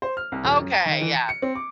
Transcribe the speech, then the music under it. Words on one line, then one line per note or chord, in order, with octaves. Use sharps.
Okay, yeah.
C5
F6
C2
D#1
F#2
A#5
D#3
E3
C#7
C#7
C4
D6